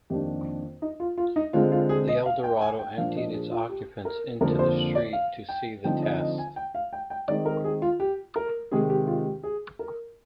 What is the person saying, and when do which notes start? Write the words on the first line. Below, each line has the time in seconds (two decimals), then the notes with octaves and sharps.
The Eldorado emptied its occupants into the street to see the test.
0.10 F2 D#3 A#3 D4 G4
0.82 D#4
1.00 F4
1.18 F4
1.36 D#4
1.53 D3 G#3 C4 F4
1.72 F4
1.89 G#4
2.08 D#5
2.26 F5
2.44 G5
2.61 G#5
2.79 G5
2.98 A#2 F3 A#3 D4 F5
3.15 D#5
3.33 G#4
3.51 F4
3.69 G4
4.05 A#4
4.41 F2 D3 F3 A#3 A#4
4.59 C5
4.95 D5
5.13 F5
5.49 G5
5.84 D3 F3 C4 D#4 G5
6.02 D#5
6.20 D#5
6.38 G#5
6.56 G5
6.74 F5
6.93 G5
7.10 G5
7.28 D#3 G#3 C4 D#4 D5
7.45 A#4
7.64 G#4
7.82 F4
8.00 G4
8.36 A#4
8.71 C3 D#3 G#3 G#4
8.90 G4
9.07 F4
9.26 G4
9.43 G#4
9.79 A#4